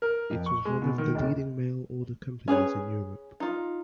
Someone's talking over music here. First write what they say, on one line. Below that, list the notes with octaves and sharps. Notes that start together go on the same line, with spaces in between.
It was one of the leading mail order companies in Europe.
A#4
F2
C#6
G#3
B2
D#3
D#1
C#4 G#4 B4 C#5
D#4 F4